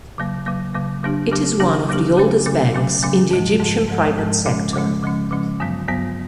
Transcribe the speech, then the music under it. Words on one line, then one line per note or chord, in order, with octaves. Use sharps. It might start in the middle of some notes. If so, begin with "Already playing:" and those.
It is one of the oldest banks in the Egyptian private sector.
C#3 F#3 A#3
C#3 F#3 A#3
C#3 F#3 A#3
C#3 F#3 A#3 D4 G4
C#3 F#3 A#3 D4 G4
C#3 F#3 A#3 D4 G4
C#3 F#3 A#3 D4 G4
C#3 F#3 A3 C#4
C#3 F#3 A3 C#4
C#3 F#3 A3 C#4
C#3 F#3 A3 C#4
G#2 F3 G#3
G#2 F3 G#3
G#2 F3 G#3
G#2 F3 G#3
C#3 F3 G#3 C#4
C#3 F3 G#3 C#4
C#3 F3 G#3 C#4
C#3 F3 G#3 C#4
G2 D3 F#3 B3
G2 D3 F#3 B3